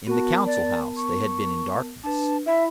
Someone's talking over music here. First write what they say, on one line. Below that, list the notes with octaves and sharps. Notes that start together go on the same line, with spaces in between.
In the Council House they had been in darkness.
B3 F#4 A#4 A5
D5
C#6
D4 B4 A5
E4 E5 B5